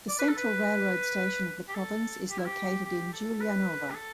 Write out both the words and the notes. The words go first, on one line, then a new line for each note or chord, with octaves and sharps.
The central railroad station of the province is located in Giulianova.
D5
B4
A4
B4
G4
A4
G4
E4
G4
G4
A4
B4
G4
A4